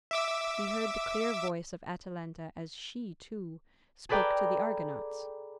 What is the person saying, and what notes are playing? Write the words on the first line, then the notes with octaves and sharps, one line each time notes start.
He heard the clear voice of Atalanta as she, too, spoke to the Argonauts.
E5 D6 E6
G#4 A4 B4 D5 G5 A#5